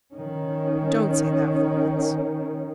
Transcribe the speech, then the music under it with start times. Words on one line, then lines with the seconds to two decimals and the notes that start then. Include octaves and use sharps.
"Don't say that, Florence."
0.14 D#3 C#4